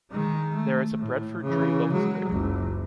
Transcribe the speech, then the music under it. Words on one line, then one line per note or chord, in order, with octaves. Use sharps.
There is a breadfruit tree above his grave.
D#3 G#3
A3
A2
C#3 E3
F#3 G#3
F#1 C#2